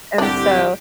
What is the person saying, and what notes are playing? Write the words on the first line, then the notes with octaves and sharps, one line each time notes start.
And so,
C2 A2 D3 D4 G4